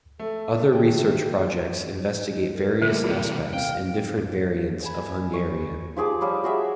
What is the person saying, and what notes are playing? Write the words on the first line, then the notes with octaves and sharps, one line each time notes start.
Other research projects investigate various aspects and different variants of Hungarian.
A3 A4
D#3 E3 F#4 G#4 G5
A#4
D2 G3 A#3 C5 E5
C3 E3 F4 G#4
C3 F5 G5
G#5 B5
C#6
F3 G4 G#4 D6
F3 G3 C#5 D6
F#4 G#4 E5